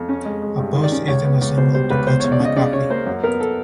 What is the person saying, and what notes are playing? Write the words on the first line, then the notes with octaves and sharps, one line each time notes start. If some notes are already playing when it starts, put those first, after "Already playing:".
A posse is then assembled to catch McGaffey.
Already playing: F2
C#4
G#3
G#3
G2
D#3
D5
C#4
C#2 C#5
B3
C#2
B2 C5
G3 C5
C#2 B4
E2 C5
C#5
E2
D5
C#3 D#5
C#3 D5
C#3 C#5
A#3 C5
F#2
B3 A#4
A4